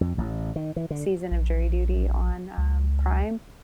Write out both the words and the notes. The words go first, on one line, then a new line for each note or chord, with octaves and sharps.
season of Jury Duty on, um, Prime,
F2
A1
D#3
E3
D3
A#1
C#2